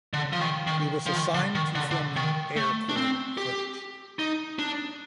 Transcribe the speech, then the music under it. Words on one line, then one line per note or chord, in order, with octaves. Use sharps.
He was assigned to filming Air Corps footage.
D3
F3
D#3
D#3
F3
D#3
D3
D#3
D3
D3
D#3
A3
D4
C4
G4
D#4
D4